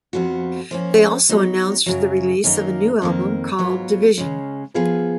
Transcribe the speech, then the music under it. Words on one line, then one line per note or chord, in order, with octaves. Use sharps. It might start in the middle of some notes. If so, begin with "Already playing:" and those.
They also announced the release of a new album called "Division".
F2 F3 B3 F#4
F3 A#3 C#4
F#3 B3 D#4
F#2 C#3 F#3
F#2 D#3 A#3 D#4 A#4
F2 D#3 A#3
G#2 F#3 B3 F4
C#3 G#3 C#4
F3 B3 F4 G#4 B4